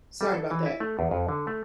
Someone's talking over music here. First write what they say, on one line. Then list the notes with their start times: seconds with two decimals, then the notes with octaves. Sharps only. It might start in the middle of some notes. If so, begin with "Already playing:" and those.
sorry about that.
0.21 G3
0.34 A4
0.51 E3
0.66 E4
0.80 A3
0.99 E2
1.11 F2
1.29 D3
1.47 A3